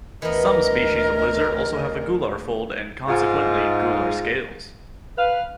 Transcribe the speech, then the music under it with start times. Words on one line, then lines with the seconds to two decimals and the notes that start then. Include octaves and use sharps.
Some species of lizard also have a gular fold and consequently, gular scales.
0.22 D2 E3 B3 A#4 D#5
3.08 G#2 F4
5.17 B4 F5